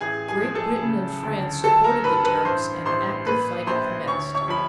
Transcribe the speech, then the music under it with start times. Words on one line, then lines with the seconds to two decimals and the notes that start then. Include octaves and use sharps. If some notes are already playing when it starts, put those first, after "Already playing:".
Great Britain and France supported the Turks and active fighting commenced.
0.01 A1 G#4 G#5
0.28 G#4 G#5
0.42 F3
0.55 A4 A5
0.82 C#3
1.23 D2
1.64 F#3 A4 A5
1.84 A#4 A#5
2.04 G2 B4 B5
2.24 B4 B5
2.45 A1 C5 C6
2.85 A1 C5 C6
3.26 A#2 B4 B5
3.67 A#1 C5 C6
4.08 D2 C#5 C#6
4.35 C#5 C#6
4.48 F3 B5